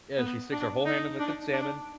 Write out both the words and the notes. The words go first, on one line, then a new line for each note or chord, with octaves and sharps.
yeah, she sticks her whole hand in the cooked salmon,
B3
D4
D#4
D4
D4